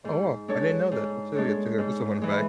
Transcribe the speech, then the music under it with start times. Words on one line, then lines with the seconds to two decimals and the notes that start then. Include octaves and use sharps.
Oh, well, I didn't know that, that's a that's a good that's a fun fact.
0.05 G#2
0.48 G#3 D4 A4 C#5
0.91 G#2
1.35 G#3 D4 A4 C#5
1.78 G#2
2.22 E3 G#3